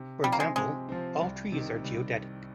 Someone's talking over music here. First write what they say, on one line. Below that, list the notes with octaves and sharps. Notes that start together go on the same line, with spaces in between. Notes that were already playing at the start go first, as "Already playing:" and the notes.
For example, all trees are geodetic.
Already playing: C3
F3 G3 C4
A#3
G#3
C3 G#3
F3 C4
C2
C3 D#3
C2